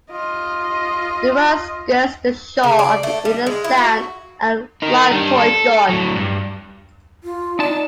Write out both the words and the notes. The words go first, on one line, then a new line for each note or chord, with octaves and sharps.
The road skirts the shore of the Inner Sound and Loch Torridon.
F4 D#5
C#3
D5
A3
G3
G#3
E4
F#4
D#4 A#4
G3 D4
A4
A2 F#3
G2
F4
D#4 D5 A5